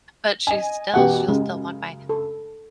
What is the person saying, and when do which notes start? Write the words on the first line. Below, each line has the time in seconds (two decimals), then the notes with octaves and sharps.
But she's still she'll still walk by,
0.47 D#5 G#5
0.94 F#2 B2 E3 G4 F#5
1.29 F#2 C#3 G#3
2.09 A4